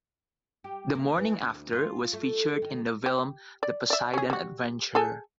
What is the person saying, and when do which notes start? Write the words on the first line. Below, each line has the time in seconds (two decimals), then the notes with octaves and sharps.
"The Morning After" was featured in the film "The Poseidon Adventure".
0.64 G4
0.95 A#3
1.18 E3
1.40 D2
1.73 F4
2.13 A3
2.62 D#3
3.06 G4
3.63 D5
3.90 D5 E5
4.14 C#4 G#4
4.30 G3 F#4
4.95 G#4 A4 G#5